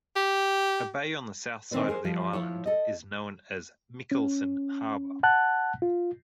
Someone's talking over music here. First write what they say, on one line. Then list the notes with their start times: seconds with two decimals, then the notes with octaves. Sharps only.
A bay on the south side of the island is known as Mikkelsen Harbor.
0.16 G4
1.71 A#2 D#3 C4 D4 B4 D5
1.88 G#4 A#4 C5
2.05 F3 G3
2.33 F3 E4 C#5
2.66 A4 D#5
4.12 C#4
5.23 F#5 A5 F#6
5.82 F4